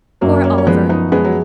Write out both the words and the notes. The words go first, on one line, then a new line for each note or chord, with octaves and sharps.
Poor Oliver!
F#2 F#3 A#3
A#3 C#4
C#4
F3 G#3 B3
B3 D#4
G#3 B3 G#4
F#3